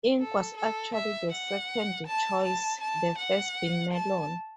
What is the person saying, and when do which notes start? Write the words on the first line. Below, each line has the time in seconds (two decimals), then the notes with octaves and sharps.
Ink was actually the second choice, the first being "Melon".
0.20 A4
0.57 A4
0.95 E5
1.32 F#5
2.07 A5
2.43 A5
2.81 A5
3.18 F#5
3.93 A5